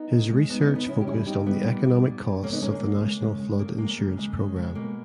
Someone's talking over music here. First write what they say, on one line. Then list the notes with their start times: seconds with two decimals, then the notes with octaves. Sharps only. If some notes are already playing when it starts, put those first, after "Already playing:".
His research focused on the economic costs of the National Flood Insurance Program.
Already playing: B3 D#4
0.11 C#3
0.30 G#3
0.49 C#3 B3 D#4
0.62 B3 D#4
0.69 G#3
0.75 B3 D#4
0.88 C#3 C#4 E4
1.01 G4
1.07 G3 C#4 E4
1.26 C#3 D#4 G4
1.46 G3 B3 D#4
1.65 A#2
1.85 G3
2.04 A#2
2.23 G3
2.43 C#3 A#3 C#4
2.52 B3 D#4
2.62 G#3 A#3 C#4
2.72 A#3
2.82 C#3
3.01 G#3
3.20 C#3
3.39 G#3
3.58 C#3 A#3
3.78 G#3 A#3
3.98 C#3
4.17 G#3
4.37 C#3
4.56 G#3
4.75 B2 A#3